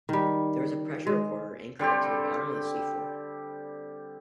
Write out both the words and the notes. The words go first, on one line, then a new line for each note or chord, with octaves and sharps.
There is a pressure recorder anchored to the bottom of the sea floor.
D#3 G3
G#3
D3 G3 C4 G4